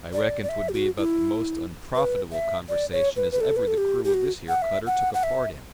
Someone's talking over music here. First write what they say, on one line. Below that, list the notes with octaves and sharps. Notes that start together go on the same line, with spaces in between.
I reckon 'twould be about the most onprofitable conwersation as ever the crew of this here cutter took a part in.
D5
D5
E5
G4
F#4
E4
B4
E5
D5
C#5
B4
B4
A4
B4
A4
G4
G4
F#4
F#5
E5
F#5
F#5
E5